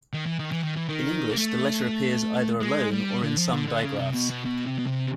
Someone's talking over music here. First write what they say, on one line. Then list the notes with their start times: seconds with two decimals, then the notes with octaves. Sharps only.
In English, the letter appears either alone or in some digraphs.
0.13 D#3
0.26 E3
0.39 D#3
0.52 E3
0.63 D#3
0.76 E3
0.89 D#3
1.30 A#3
1.38 A3
2.60 G#3
2.92 G3
3.23 D3
3.38 F3
3.53 D3
3.68 D3
3.84 C#3
3.99 C3
4.14 B2
4.31 B2
4.46 B2
4.67 C3
4.79 B2
4.87 C3